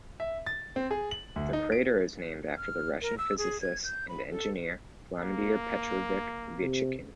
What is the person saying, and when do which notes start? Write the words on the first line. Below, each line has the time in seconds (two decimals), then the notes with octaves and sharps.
The crater is named after the Russian physicist and engineer Vladimir Petrovich Vetchinkin.
0.20 E5
0.46 A6
0.76 C4
0.91 G#4
1.11 F#7
1.36 D2
1.53 D#4
1.72 D7
2.57 F6
3.02 A#4
3.18 E6
3.38 G#4
3.61 G#6
3.84 G6
4.09 B5
4.31 A4
5.22 A#3
6.61 C3